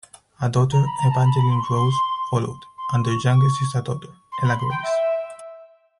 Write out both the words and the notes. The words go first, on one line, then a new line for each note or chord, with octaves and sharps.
A daughter, Evangeline Rose, followed, and their youngest is a daughter, Ella Grace.
A#5
B5
A#5
A5
B5
B5
C6
C#6
C6
C6
C#6
C#6
C6
B5
C6
G5
E5